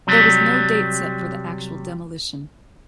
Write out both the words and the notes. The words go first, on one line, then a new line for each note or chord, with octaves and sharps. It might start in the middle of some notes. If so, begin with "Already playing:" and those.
There was no date set for the actual demolition.
C3 F#3 G3